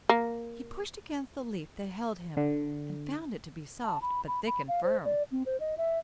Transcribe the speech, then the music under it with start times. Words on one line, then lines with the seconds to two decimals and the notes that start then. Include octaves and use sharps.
He pushed against the leaf that held him and found it to be soft, but thick and firm.
0.09 A#3
2.37 D3
3.84 A5
4.02 B5
4.28 B5
4.47 B5
4.68 F5
4.84 C5
5.05 D5
5.32 C4
5.46 C5
5.60 D#5
5.78 E5